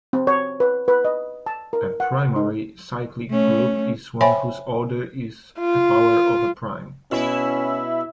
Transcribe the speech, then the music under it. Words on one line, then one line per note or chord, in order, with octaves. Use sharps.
A primary cyclic group is one whose order is a power of a prime.
C4
C#5
B4
B4
D#5
A5
A#4
F#5
D#4
A3 C#4
C5 C#5 E5 G5 G#5 B5
F4
B2 B3 C#4 E4 E5